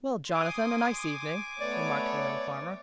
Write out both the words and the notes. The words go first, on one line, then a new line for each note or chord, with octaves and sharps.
"Well, Jonathan, a nice evening," remarked the young farmer.
G#5 C6 D6 D#6
A3 B3 B4 C#5 D5